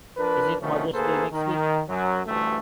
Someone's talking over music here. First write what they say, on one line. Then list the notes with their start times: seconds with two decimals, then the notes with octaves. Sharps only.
Is it Mother’s Day next week?
0.17 F3 D4 A#4 B4
0.61 B2 D3 D#3 F3 A3 C#4
0.93 D2 A#3 G#4 A4 B4 C5
1.32 D#3
1.88 F#2 F#3
2.26 A1 D2 G2 A3